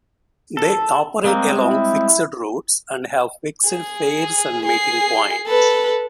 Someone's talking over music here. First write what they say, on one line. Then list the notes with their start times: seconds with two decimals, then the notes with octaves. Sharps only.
They operate along fixed routes, and have fixed fares and meeting points.
0.57 A4
1.24 G3 G#3 A#3 C4
1.63 E4
3.67 G#4
4.66 G#4 C7
5.47 A4 B4